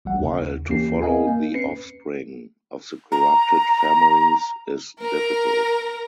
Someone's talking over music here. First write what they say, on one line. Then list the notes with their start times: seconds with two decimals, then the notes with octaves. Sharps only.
While to follow the offspring of the corrupted families is difficult.
0.05 A1 G3 F#5
0.20 D#2 C#3
0.69 D#2 E3 A#3 C#4 G4 C7
1.02 C4 A#4 D#5 F5 G#5
1.27 A#3
1.54 C4 C#4 B4 C7 C#7
3.12 A#5
5.00 A#4 A#5